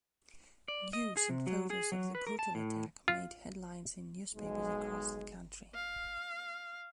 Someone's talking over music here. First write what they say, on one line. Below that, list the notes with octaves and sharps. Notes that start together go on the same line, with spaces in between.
News and photos of the brutal attack made headlines in newspapers across the country.
D5
D#5
G#4
C3
F#3
G#4
F#3
B4
A#4
A5
A2
F4
B1 G#3
F5